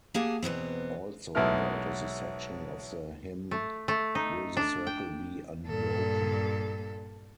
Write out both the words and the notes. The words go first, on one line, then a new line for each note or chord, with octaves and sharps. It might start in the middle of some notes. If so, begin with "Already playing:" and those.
Also heard is a section of the hymn "Will the Circle Be Unbroken".
A#3 G4 G#4 F#5 A5
E2 B2 B3 C4
B1 G#3 A3 B3 E4 F6
A3
A3
D#4
D4
G5
G2 A#2 A4